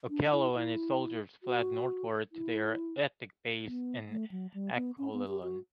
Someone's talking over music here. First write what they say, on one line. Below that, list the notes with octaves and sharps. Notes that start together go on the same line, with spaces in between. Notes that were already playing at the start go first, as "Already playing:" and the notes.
Okello and his soldiers fled northward to their ethnic base in Acholiland.
D4
E4
E4
F#4
E4
B3
A3
F#3
G3
B3
C#4
B3
G4
F#4